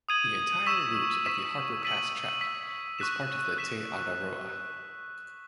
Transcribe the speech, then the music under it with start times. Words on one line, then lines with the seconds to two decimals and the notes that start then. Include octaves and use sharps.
The entire route of the Harper Pass Track is part of Te Araroa.
0.09 D#6 G#6 D#7 F#7
0.66 C#6 E6 B6 E7
1.25 C#6 E6 B6 E7
1.82 E6 B6 D#7 F#7
2.41 E6 B6 D#7 F#7
2.99 C#6 F#6 B6 E7
3.57 C#6 F#6 B6 E7